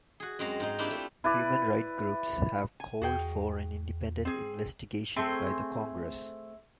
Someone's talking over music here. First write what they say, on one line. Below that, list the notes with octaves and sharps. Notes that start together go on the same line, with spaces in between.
Human right groups have called for an independent investigation by the congress.
F#4 G#4
F#2 G#3 C4 A#5
G#2 D#4
A#3 C4 D4 E4 F4 G4
A3
E4 B4 D5
G#5
E2 F#4 G#4 G5
C4 G#4
A3 C4 G#4 C6